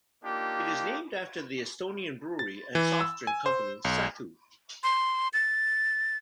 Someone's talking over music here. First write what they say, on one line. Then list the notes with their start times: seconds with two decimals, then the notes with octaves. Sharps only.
It is named after the Estonian brewery and soft drink company Saku.
0.24 A#3 D4 D#4 F4 G4
2.39 A6
2.75 E3
3.01 E6
3.27 G#5
3.46 C5
3.85 B1
4.83 C6
5.33 A6